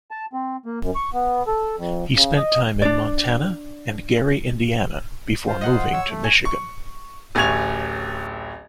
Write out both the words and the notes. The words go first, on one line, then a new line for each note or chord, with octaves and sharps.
He spent time in Montana and Gary, Indiana before moving to Michigan.
A5
C4
A#3
F#2
C#6
B3
A4
F2
C#3
D#5
D4 D5
F4 C5
D#5 F#5 C6
C#5 E6
A3
C#5 G#5
C#6
D1 A1 G#5 C#6 G#6 F7